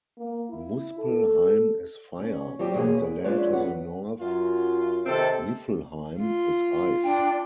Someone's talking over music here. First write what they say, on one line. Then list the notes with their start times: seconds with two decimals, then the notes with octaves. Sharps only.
Muspelheim is fire; and the land to the North, Niflheim, is ice.
0.17 A#3
0.50 E4
0.99 A4
2.19 C#4
2.59 F#3 G3 C4 G4
2.74 E2 B2 A#3 G#4 C#5
2.96 B4
3.24 F3 G#3 D4 B4 C#5 E5
3.53 F#2 D#3 B4 F#5
4.20 F#2 F4
5.06 C3 D#3 C4 A4
6.20 F4
7.03 D4 G5